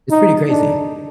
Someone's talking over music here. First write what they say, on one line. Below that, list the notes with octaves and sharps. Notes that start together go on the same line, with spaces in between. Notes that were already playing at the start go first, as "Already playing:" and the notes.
It's pretty crazy.
D#4
D4